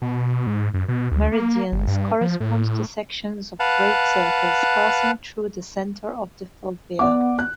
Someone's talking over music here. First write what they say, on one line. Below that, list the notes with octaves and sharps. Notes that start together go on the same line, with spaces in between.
Meridians correspond to sections of great circles passing though the centre of the fovea.
B2
G#2
F#2
B2
D2
A#3
G1
G2
F3
A2
B4 F5 F#5 A5
B3 D5 F#5 D6
F#6